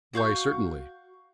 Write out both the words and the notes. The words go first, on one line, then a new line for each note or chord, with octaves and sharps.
"Why, certainly."
F#4 F5 C#6 G6